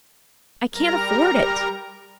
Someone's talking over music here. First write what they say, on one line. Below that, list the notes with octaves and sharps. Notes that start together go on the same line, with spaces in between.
I can't afford it.
G3 A#4 A#5